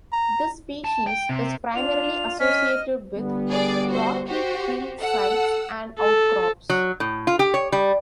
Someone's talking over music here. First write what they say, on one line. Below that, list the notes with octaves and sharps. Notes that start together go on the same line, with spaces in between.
This species is primarily associated with rocky hillsides and outcrops.
A#5
A5
G5
C3
D4 F4 F7
C#4 D#5 F6 B6
D3 G3 B3
G#4 D5
F#4 C5
F#4 G4 C5
A4 F#5 E6
A4
F#3
A2
F4
G4
C#5
G3